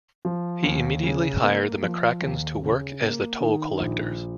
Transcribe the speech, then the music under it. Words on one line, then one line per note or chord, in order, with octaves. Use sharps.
He immediately hired the McCrackens to work as the toll collectors.
F3
D#2
C#3
A#3
F3
D#2
C#3
A#3
D#3
A#1